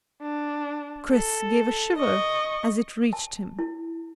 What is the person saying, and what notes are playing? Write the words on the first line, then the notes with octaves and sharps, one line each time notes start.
Chris gave a shiver as it reached him.
D4
A4
D#5 C#6
A5
E4